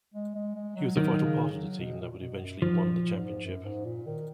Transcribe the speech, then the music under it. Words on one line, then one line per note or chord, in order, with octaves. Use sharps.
He was a vital part of the team that would eventually won the championship.
G#3
G#3
G#3
F#3
D#3 F#3
C#3
F#3
B2
A#2
B2
F#2
G#2 F3
A#2
G#2
F#2
G#2
A#2
D#3